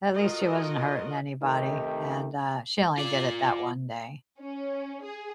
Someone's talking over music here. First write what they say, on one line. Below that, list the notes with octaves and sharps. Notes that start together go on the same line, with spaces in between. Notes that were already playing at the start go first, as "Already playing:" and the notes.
at least she wasn't hurting anybody and, uh, she only did it that one day,
F4 F#4 A4 A#4 D#5
C3 D#3 A3 D#4 G4
F4 D5
C#4
G#4